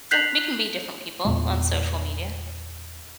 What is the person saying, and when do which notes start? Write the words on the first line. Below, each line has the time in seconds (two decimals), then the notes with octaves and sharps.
So we can be different people on social media,
0.11 F#6 G6 B6 C7 F7 F#7
1.25 E2 A#2 G#3